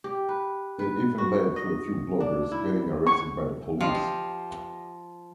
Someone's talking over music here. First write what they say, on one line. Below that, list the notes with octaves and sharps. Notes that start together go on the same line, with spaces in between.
It even led to a few bloggers getting arrested by the police.
G4
B4
B4
F#4
D#5
D4
E4
C#6
F3 G4 D#5 C6